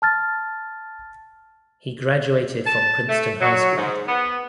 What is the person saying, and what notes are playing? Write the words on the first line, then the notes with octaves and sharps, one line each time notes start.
He graduated from Princeton High School.
A5 F6 A6
A5
A3
F#3
G#2
B3